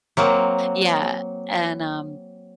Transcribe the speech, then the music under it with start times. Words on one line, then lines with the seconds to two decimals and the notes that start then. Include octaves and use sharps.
yeah, and, um
0.17 F#3 A#3 C4